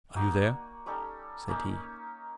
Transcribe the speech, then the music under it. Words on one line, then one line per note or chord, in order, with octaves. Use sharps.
"Are you there?" said he.
A#3 D#4 F#4 G#5
D5
G3 C#4 D#4 A4
A#3 C#4 D#4